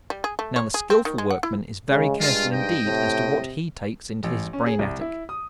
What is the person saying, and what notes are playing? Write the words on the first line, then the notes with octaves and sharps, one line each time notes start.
Now the skilful workman is very careful indeed as to what he takes into his brain-attic.
G3
G#4
A3
C#5
G#4
C4
D#3
G#3
F#5
E4
C#3 G#3
G2 F4
G#2 D#5 G5
A2 C3
A1
C#4
G#4
C2
E4
D#6